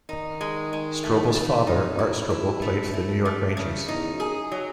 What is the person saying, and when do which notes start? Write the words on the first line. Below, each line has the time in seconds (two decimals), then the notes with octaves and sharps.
Strobel's father, Art Strobel played for the New York Rangers.
0.09 D#3 D#4
0.41 G#3
0.73 G#3
1.04 A3
1.35 A3
1.67 D#4
1.99 F#2 E4
2.30 E4
2.62 A3
2.94 A3
3.25 A3
3.57 C#3
3.88 E2 D#4
4.12 F#2
4.20 G#4
4.52 F#3